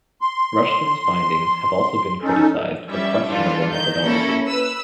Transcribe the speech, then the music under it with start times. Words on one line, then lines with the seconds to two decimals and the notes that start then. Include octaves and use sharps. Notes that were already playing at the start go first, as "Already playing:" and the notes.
Rushton's findings have also been criticized for questionable methodology.
0.21 C6
2.23 C#4 D#4 A4
2.89 G3 C#4 E5
3.28 E3 G3 D4 F4 A4
3.71 D#3 G6
4.04 A#3 C#4 E4 A4
4.47 B4 E6